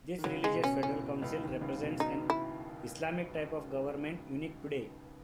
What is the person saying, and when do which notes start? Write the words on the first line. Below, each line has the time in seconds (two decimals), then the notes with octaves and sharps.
This religious federal council represents an "Islamic type of government" unique today.
0.18 D#3
0.24 C#2 C#3 F#3
0.44 G#3
0.54 B2
0.64 C#4
0.83 A2 C#4
1.03 B2
1.22 C#2 C#3
1.42 D#2 D#3
1.61 C#2 C#3
1.81 B2
2.00 B2 D#4
2.30 E4